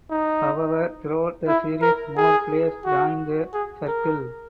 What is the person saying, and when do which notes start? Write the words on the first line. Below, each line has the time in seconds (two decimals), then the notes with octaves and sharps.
However throughout the series more players joined "The Circle".
0.11 D#4
1.48 E4
1.82 A#4
2.17 G#4
2.85 F#4
3.53 G#4
3.88 A#4